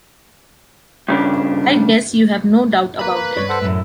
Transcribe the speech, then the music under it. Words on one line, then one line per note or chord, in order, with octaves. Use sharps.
I guess you have no doubt about it.
G2 C#3 D4
A#3 B4 B5
G2 C#5 D5
A4 C5 F#5
F#2 A2 E4